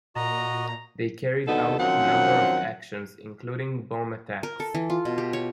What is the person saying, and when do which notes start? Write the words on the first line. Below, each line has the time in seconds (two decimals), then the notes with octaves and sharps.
They carried out a number of actions, including bomb attacks.
0.16 A#2 F#4 D#5 A#5
1.46 D#2 B2 D3 B3 D#4 A4
1.78 F#2 D#3 F3 F#3 C4 F#5
4.43 A#4
4.60 A4
4.75 E3
4.90 F4
5.05 B2
5.18 G4
5.33 C#5